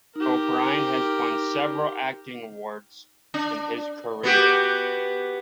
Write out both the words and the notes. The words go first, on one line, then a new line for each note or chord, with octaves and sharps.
O'Brien has won several acting awards in his career.
D#4 G4 A#4
D4
B3 F#4 G4